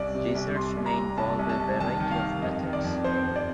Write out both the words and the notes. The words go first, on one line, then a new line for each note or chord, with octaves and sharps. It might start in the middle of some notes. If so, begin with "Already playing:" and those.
Research may involve a variety of methods.
Already playing: C2 D5
C3
C2
C2 C6
C2
A#5
C3
C2 A5
C2
A5
C2
D#3 A5
D#3
F5
D#3
F2 D#5
D#3
D5
F2
F2 C5
F2
D5